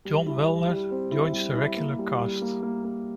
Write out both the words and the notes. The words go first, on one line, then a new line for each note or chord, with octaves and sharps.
Jon Wellner joins the regular cast.
G3
E4
G3
G3
C4
E4
G3
E4
A#3
G3
G3
A#3
A#3
A#3